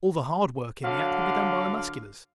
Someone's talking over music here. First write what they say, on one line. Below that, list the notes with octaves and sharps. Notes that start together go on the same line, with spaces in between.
All the hard work in the act will be done by Musculars.
D3 F#3 F5